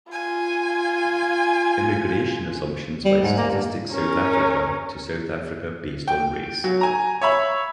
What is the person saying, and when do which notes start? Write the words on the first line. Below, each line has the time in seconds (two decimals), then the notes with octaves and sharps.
Immigration assumptions by Statistics South Africa to South Africa based on race.
0.12 F4 G#5
3.05 G3
3.23 G#2
3.37 A#3
3.51 G2
3.92 C#4 A#4
6.08 G5
6.64 F#3
6.81 G#5 A#5
7.21 C#5 E5 B5